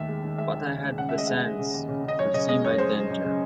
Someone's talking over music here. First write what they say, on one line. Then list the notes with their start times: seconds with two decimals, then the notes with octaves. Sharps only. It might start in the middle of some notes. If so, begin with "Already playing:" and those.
But I had the sense to see my danger.
Already playing: D#2 D#3 A3 E5
0.09 G#3
0.23 D#3
0.38 G#3 E5
0.54 D#3
0.69 E1
0.84 G#3
0.98 C#3 F#5
1.09 E5
1.14 G#3 D#5
1.27 G#3 E5
1.44 G#3
1.59 C#3
1.73 D#2
1.89 C#3
2.04 C#3 D#5
2.19 F#2 C#5
2.34 C#3 D#5
2.49 G#3 D#5
2.65 F#2 C#5
2.78 G#3 C5
2.95 F#2
3.10 F#2
3.24 C#3